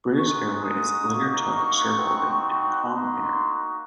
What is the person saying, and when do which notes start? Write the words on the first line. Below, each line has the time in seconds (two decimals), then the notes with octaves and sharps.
British Airways later took a shareholding in Comair.
0.16 G#3 D#4 F#4 C#6
0.61 D#6
1.07 A#3 D#4 F#4
1.52 C#6
1.96 C4 D#4 F#4
2.86 A#3 D#4 F#4 C6